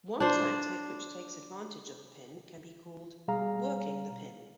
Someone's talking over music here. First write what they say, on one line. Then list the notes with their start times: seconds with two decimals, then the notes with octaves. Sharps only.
One tactic which takes advantage of a pin can be called "working the pin".
0.20 D4 C5
3.28 B2 G3 G#4 F5 A#5